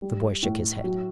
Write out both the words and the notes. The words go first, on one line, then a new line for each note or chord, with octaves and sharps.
The boy shook his head.
G3
A2
F#3